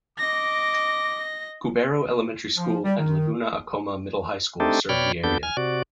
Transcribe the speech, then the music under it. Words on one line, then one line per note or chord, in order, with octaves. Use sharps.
Cubero Elementary School and Laguna Acoma Middle-High School serve the area.
D#5 D6 A#6
F3
G3
D#3
A3 C4 D4 D#4 G4 A4
B2 C#5 D5 G5 B5 F6
F2 B3 D4 A4 G6
G#5 F6
C3 F#4 D5